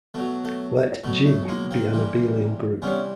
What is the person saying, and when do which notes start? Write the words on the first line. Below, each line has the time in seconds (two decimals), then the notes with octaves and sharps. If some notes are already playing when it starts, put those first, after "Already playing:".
Let "G" be an abelian group.
0.14 B2 F#3 A3
0.45 A3
1.04 B2 F#3 A3
1.26 A3
1.48 G#3 A#3
1.71 A#3 C4
1.93 C3 E3 G3
2.82 C3 E3 G3 B3 C#4